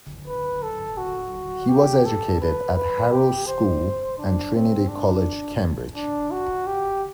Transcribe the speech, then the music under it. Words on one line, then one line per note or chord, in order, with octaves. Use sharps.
He was educated at Harrow School and Trinity College, Cambridge.
B4
A4
F#4
G4
A4
B4
B4
G4
C5
D4
C4
D4
D4
F#4
G4